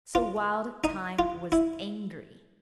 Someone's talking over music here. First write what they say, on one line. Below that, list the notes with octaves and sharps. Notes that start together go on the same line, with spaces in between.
So Wild Thyme was angry.
F4
D#4
F4
E4